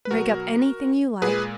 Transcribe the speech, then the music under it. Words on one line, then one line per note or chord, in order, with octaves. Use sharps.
Rig up anything you like....
B4
B2 F#3 F#4 A#4
A#2 G#3 G#4 B4